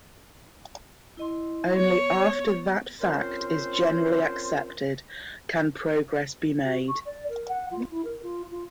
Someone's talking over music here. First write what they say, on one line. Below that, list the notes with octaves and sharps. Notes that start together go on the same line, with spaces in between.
Only after that fact is generally accepted can progress be made.
E4 D#5 C6
B3 C#5
C4 C#4 F4 A#4 C5
F#4
C#6
D5
A#4
F#5
F4
E4
A#4
F4
F4